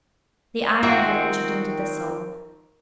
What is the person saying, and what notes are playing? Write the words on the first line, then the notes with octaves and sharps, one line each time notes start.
The iron had entered into the soul.
D#3 C4 F4 F#4 E5